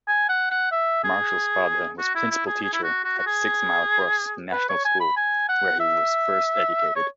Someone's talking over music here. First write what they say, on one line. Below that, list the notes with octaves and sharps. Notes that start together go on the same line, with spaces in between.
Marshall's father was principal teacher at Sixmilecross National School, where he was first educated.
G#5
F#5
F#5
E5
G#4
F#4
E4
E4
G#4
G#4
E4
F#4
F#4
F#4
G#4
B4
C#5
G#5
B5
G#5
F#5
E5
C#5